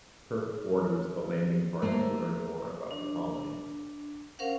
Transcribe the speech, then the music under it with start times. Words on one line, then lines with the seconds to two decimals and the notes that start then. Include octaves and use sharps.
Kirk orders the landing party to learn more about the colony.
1.82 A3 A#3 A#4 C5
2.91 D4
4.39 C#4 A#4 C5 F5 F#5